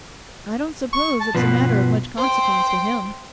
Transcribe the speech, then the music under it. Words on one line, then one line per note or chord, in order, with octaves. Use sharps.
'I don't suppose it's a matter of much consequence to HIM.
C#6
A5
G2 B2 F3 B4
C5 G5